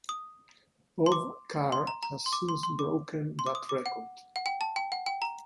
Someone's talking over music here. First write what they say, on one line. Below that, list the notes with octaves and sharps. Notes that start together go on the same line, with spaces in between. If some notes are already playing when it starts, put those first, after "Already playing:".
Bob Carr has since broken that record.
D#6
C6
D6
C6
A#5
A#5
C6
D6
C6
C6
D6
C6
D6
D#6
D6
F#5
F#5
G5
A5
G5
F#5
G5
A#5